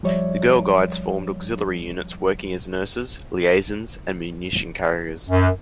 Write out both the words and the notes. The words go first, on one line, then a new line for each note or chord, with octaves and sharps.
The Girl Guides formed auxiliary units working as nurses, liaisons and munition carriers.
F3 G3 C#5 D5 E5
F#2